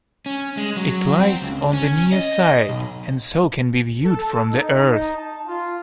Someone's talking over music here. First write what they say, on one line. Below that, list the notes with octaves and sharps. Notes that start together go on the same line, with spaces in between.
It lies on the near side and so can be viewed from the Earth.
C#4
G#3
F#3
C4
C#2
C#4
D#5
B1
A4
D#4
D#4
A5
F4